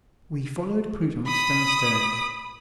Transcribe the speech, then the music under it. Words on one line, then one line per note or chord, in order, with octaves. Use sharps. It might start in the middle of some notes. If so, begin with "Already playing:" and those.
We followed Prudence downstairs.
B5 D#6